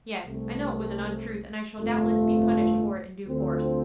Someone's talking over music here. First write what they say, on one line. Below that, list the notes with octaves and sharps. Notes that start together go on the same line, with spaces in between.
'Yes, I know it was an untruth, and I shall doubtless be punished for it in due course.
C2 C3 A3
G1 F2 C3 A3 F4
D2 D3 F3 C4